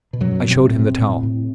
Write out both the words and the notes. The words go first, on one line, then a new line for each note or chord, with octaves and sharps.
I showed him the towel.
B2
F#2 F#3
B2
C3 C4
B2
A2
A2
A2